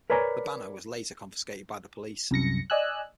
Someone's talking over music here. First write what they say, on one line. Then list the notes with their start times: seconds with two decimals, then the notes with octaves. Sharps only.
The banner was later confiscated by the police.
0.10 A#4 B4 C#5 D5 G#5 A#5
2.31 C2 F#2 A#6 C#7
2.70 D5 D#5 G#5 E6 F#6